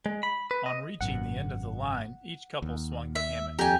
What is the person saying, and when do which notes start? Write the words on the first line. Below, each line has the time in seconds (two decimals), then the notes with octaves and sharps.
On reaching the end of the line, each couple swung the hammock.
0.06 G#3
0.23 B5
0.51 B4
0.66 D#5
1.01 G#1 F#2 B2 F#5
2.62 D#2
3.15 E5
3.59 F2 G4 G#5 A#5